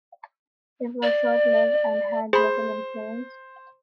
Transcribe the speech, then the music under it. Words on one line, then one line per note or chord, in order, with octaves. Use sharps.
It was short-lived and had little influence.
D5
G#4 C5 B5